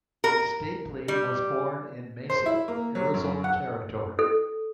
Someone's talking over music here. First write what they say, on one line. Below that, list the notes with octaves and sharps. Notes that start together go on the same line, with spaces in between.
Stapley was born in Mesa, Arizona Territory.
A#4
G3
C5
E4
A#3
F#3
F#2
F#5
A4